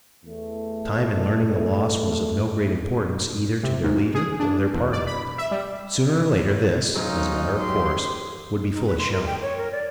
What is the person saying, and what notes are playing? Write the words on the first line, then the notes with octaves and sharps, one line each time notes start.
Time in learning the loss was of no great importance either to their leader or their party. Sooner or later this, as a matter of course, would be fully shown.
E2 A3
C3
G#2
G#4
D4
E2
D5
B5
E5
G3
F#3 C#4 D#4 F4
G4 C6
D#4
B4
C6
A#4
G5
C#5
A#4
D5